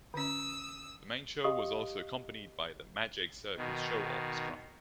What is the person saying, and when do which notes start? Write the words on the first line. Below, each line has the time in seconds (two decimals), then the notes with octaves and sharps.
The main show was also accompanied by the "Magic Circus Show Orchestra".
0.14 D3 C#4 D#6 E6
1.44 G4 D#5 F5 C#6 D#6
3.57 B2 D#3